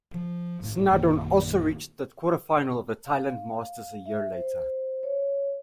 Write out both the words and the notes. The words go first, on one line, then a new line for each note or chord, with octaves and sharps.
Snaddon also reached the quarter-final of the Thailand Masters a year later.
F3
G#1 A2
A#1 F#2 D#3 A#3
F5
E5
C5
C#5